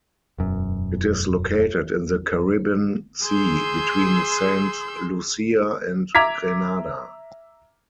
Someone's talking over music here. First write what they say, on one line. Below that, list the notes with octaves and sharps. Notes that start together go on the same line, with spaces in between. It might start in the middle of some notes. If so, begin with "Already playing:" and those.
It is located in the Caribbean Sea, between Saint Lucia and Grenada.
E1 F#2
G#4 C6 E6 G6
E5 A#5 D6 G#6 B6